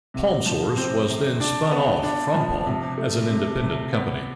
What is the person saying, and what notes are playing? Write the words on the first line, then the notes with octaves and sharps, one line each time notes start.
PalmSource was then spun off from Palm as an independent company.
C3
F3
C4
C3
D4
B3
D4
F3
C3
A3
C3
C3
B3